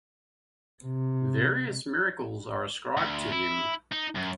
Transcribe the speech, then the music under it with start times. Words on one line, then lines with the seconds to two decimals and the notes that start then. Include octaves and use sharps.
Various miracles are ascribed to him.
0.85 C3
2.97 D2
3.32 E4
3.92 D#4
4.15 F#2